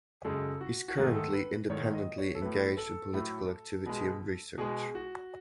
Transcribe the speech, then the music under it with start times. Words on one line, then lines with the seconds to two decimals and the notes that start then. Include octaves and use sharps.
He is currently independently engaged in political activity and research.
0.25 F#2 C#3 G#3 A4
0.61 F#4
0.88 F#4
0.97 G#2 D#3 A3 G#4
1.15 A4
1.33 B4
1.70 G#2 D#3 A3 C#5
1.93 D#5
2.18 C#5
2.35 A4
2.42 A2 F#3 A3 B4
2.77 A4
3.14 A2 F#3 A3
3.86 B2 G#3
4.58 B2 G#3 G#4
4.95 F#4